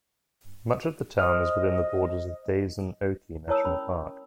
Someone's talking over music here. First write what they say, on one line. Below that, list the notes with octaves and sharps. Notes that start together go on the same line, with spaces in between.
Much of the town is within the borders of Daisen-Oki National Park.
C5 D#5 D#6 F6
E4 A#4 C#5 A5 D#6 E6
C#4 A#4 B5